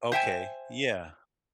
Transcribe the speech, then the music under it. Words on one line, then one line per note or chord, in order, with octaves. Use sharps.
Okay, yeah.
C5 E5 G5 G#5